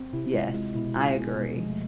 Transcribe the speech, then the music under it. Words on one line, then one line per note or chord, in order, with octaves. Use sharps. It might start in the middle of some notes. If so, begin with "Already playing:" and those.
Yes, I agree.
Already playing: C4
C3 E4
G#3 F4
G#3
B2 E4
G#3 F4
B3 G#4
B2 G#3
F3 G#3
A3